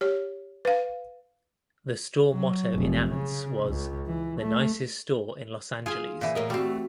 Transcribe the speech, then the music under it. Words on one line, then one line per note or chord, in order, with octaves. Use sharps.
The store motto in ads was "the nicest store in Los Angeles".
G4 C#5
B4 F5
F#3
F1
C#3
C#2
E3
A3
F4 G#4 G#5
A#2 E3
A2 A#4 D#5
G3 A3 C4 F#4